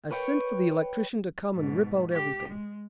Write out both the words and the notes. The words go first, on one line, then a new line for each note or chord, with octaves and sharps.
I've sent for the electrician to come and rip out everything.
B4 C#5 G5 C#6
G#2 B2
G4
G#3